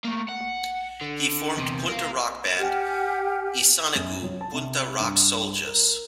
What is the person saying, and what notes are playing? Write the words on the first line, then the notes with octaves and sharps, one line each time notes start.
He formed punta rock band Isanigu Punta Rock Soul-Jahs.
A3 A#3
F#5
D3
E2 C3
A#4 F5
G4 F#5 G#5 F6
F#2
F#3
A5
C3
G2
A#4